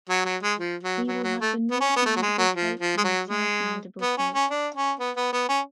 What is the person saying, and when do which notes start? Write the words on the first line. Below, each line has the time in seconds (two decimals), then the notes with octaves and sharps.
We will have the North-Mandible cape and the South-Mandible cape.
0.09 F#3
0.25 F#3
0.43 G#3
0.59 F3
0.83 F#3
1.07 F#3
1.24 F#3
1.40 A3
1.71 B3
1.80 C#4
1.96 B3
2.06 A3
2.16 F#3
2.22 G#3
2.38 F#3
2.54 F3
2.79 F3
2.98 G#3
3.04 F#3
3.27 G#3
4.02 B3
4.18 C#4
4.34 C#4
4.51 D4
4.75 C#4
4.99 B3
5.17 B3
5.32 B3
5.49 C#4